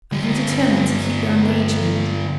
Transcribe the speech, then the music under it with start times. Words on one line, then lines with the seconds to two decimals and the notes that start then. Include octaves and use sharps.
"Are you determined to keep your engagement?"
0.13 G2 D3